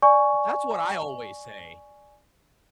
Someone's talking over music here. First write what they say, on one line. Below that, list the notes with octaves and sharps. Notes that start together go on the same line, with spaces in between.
That's what I always say.
D5 G#5 C#6